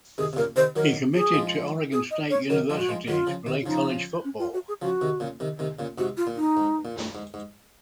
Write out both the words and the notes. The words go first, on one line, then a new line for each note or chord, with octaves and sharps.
He committed to Oregon State University to play college football.
C3 D#3 G#4
C3
A#2 C#3 A#4
C3 D#3 C5
D#3 F#3 A#4
G#4
F3 G#3
G#4
D#5
C#5
D#3 F#3 A#4
F3 G#3
F#4
F3 G#3
D#3 F#3 F4
C#3 F3
C3 D#3
F4
C#3 F3 D#4
C#4
F4
F#4
G#4
C#3 F3 F#4
C3 D#3
A#2 C#3
C3 D#3
C3 D#3
A#2 C#3
G#2 C3 F#4
F4
A#2
D#4
G#2
A#2
G#2
G#2